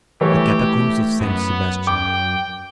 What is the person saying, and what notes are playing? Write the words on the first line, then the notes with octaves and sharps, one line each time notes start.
The Catacombs of Saint Sebastian.
E3 G3 A3 G4 C#5
F#2 B3
G5 D6